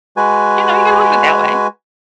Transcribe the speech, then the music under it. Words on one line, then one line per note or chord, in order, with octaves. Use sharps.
You know, you gotta look at it that way.
G#3 F#4 B4 G#5